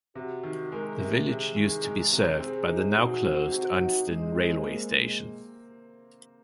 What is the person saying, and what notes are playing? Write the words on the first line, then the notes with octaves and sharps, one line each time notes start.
The village used to be served by the now-closed Unstone railway station.
C3 F#4
D#3
G#3 A#4
C3
C3 G#4
D#3
G#3
C3
C4 G#4
D#4
F#4 G#4
C4
C4 F#4
D#4
G#3 G#4
C4
A#3